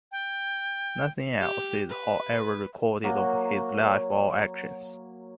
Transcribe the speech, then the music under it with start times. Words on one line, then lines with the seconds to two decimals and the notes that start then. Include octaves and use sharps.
Nothing else is however recorded of his life or actions.
0.12 G5
1.40 G4
1.90 B4
3.04 F#3 A#3